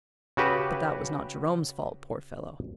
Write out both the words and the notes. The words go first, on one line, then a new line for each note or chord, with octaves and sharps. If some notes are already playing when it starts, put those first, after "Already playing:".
But that was not Jerome's fault, poor fellow!
C#3 F#4 G4 B4